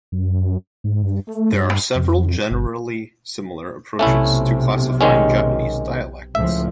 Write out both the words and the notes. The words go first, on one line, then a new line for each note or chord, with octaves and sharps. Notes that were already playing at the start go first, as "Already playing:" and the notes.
There are several generally similar approaches to classifying Japanese dialects.
F#2
G#2
G2
A3
G2
F2
G1
B1 C3 A3 C#4 E4
D#3 G#3 C#4
C#2 A2 F3 E5